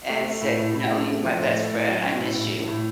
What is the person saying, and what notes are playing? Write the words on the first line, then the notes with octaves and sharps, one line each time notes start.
and said, you know, "You're my best friend, I miss you."
A3
A3
A2
A2
A2
A3
A3
F3
A2
A3
A2
F#3
C#4
A2
A2
A2
A2